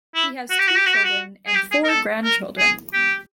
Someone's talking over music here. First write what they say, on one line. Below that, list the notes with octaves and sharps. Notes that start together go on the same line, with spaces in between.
He has two children and four grandchildren.
E4
F#4
G4
F#4
G4
F#4
G4
F#4
G#4
G4
G#4
A#4
A4
A#4
G#4
G4